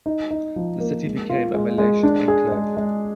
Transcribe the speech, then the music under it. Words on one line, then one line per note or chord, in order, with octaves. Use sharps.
The city became a Malaitan enclave.
D#4
D#4
F3
A#3
G#3
F4
G#3
G#3
D4
G#4
G#3
G#3